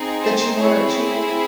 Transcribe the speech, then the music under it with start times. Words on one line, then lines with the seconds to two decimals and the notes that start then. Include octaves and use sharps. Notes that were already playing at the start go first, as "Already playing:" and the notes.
that you wanna achieve?
Already playing: C4 D#4 G#4
0.21 C5
0.57 C4 E4 G#4 C#5